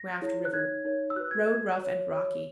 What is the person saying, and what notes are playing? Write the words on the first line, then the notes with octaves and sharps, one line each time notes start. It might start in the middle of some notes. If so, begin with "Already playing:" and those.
Raft River.--Road rough and rocky.
Already playing: A#6
E4 G#4 C#5
F#6
D#4 A#4 C#5 G#6
D#4 A#4 C#5
E6
F#4 B4 F#6
G#6
F#4 B4 G#6
F#4 C#5
F#4 C#5